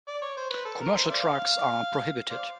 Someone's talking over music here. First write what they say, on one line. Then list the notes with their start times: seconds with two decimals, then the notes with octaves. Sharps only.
Commercial trucks are prohibited.
0.08 D5
0.22 C#5
0.37 C5
0.50 B4
0.65 A4
0.81 A#4
0.95 C5
1.10 C5 D5 F5
2.30 C5 D5 F5